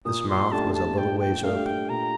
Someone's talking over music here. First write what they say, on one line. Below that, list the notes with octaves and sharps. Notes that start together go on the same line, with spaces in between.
His mouth was a little ways open.
A#2 D#6
C6
A3 D4 G4 A5
A5
A#2 G5
G5
A3 D4 G4 F5
G5
A#2 A#5